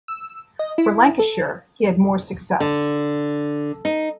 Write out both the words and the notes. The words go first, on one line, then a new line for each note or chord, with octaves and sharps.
For Lancashire he had more success.
E6
D#5
E4
A4
D3
D#4